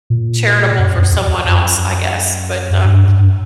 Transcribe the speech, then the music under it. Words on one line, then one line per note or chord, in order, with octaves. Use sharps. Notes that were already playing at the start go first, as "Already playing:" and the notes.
charitable for someone else, I guess, but, um
A#2
F#2
F2
F2
F2
F#2
G2
G2